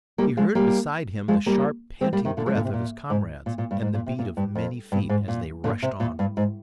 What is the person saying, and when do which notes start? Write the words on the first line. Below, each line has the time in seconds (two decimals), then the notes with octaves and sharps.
He heard beside him the sharp, panting breath of his comrades, and the beat of many feet as they rushed on.
0.18 G3 A#3
0.37 F3 G#3
0.55 G3 A#3
1.28 F3 G#3
1.46 G3 A#3
2.01 G#3 C4
2.13 G3 A#3
2.25 C3 D#3
2.37 A#2 D3
2.46 F3 G#3
2.55 A#2 D3
2.65 C3
2.74 A#2
3.10 G#2
3.46 A#2
3.58 A#2
3.71 G2
3.82 G#2
3.94 A#2
4.06 C3
4.19 A#2
4.37 G2
4.55 F2
4.92 G2
5.09 G#2
5.28 A#2
5.64 A#2 D3
5.83 C3
6.00 A#2
6.19 G2
6.37 G#2